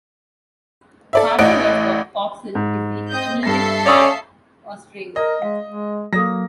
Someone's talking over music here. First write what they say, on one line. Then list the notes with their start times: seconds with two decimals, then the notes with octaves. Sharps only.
Farther west of Pogson is the uneven Mare Australe.
1.13 A4 D5 E5
1.39 A1 A2 D5 D#5 F#5 D7
2.55 G#2
3.10 C4 D#5 G6
3.43 G2 A4 E5 A#6 C7
3.86 C#4 D5 F5 D#6 E6
5.16 A#4 D5 D#5
5.42 G#3 F5
5.66 G#3
6.13 F#3 A#3 A4 D5 A#5 A#6